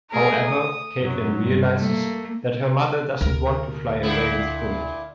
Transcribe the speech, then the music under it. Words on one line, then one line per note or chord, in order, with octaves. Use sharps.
However, Kaitlin realizes that her mother doesn't want to fly away with Bullit.
A3 G#4 A#4
D#6
F#2 F#3
G2
A3 A#3
D2 A#4
A#2 D3 E4